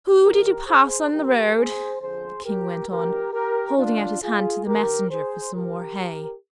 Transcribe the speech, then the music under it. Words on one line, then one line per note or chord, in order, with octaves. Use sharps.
'Who did you pass on the road?' the King went on, holding out his hand to the Messenger for some more hay.
D#2 D#3 G4 A#4
G#4 C5
D2 D3 F3 G4 A#4
G#4 C5
F2 D3 F3 G#4 C5
G4 A#4
D2 D3 F3 G4 A#4
G4 A#4
D#2 D3 F3 D4 F4
F4 G#4
G2 D#3 G4 A#4
G#4 C5
D2 C3 D#3 G4 A#4